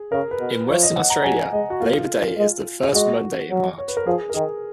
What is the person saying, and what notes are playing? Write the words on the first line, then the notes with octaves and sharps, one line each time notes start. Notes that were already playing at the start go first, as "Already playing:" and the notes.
In Western Australia, Labour Day is the first Monday in March.
Already playing: G#4
C#3 A#4
B4
B2
F3 C#5
D#5
F#5
A#5
F#3 G#5
G#3 D#5
F#4
A#3 F4
G#3
G#4
G#3 F#4
F#3
C#5
B4
A#4
F3 G#4
A#4
D#3 G#4